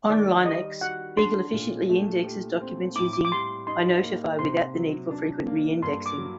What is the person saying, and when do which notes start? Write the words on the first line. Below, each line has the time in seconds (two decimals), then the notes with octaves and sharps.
On Linux, Beagle efficiently indexes documents using inotify without the need for frequent reindexing.
0.09 D#3 D5
0.45 G3 D#5
0.81 F#4 F#5
1.17 D4 C6
1.53 A#2
1.89 A3
2.24 G4
2.61 C4
2.96 A2 D6
3.13 D6
3.25 D6
3.32 G3 C6
3.67 D#4 C6
4.04 A#3
4.39 C3 C6
4.75 F#3
5.11 D4
5.46 A#3
5.82 G2 C6
6.06 D6
6.18 F#3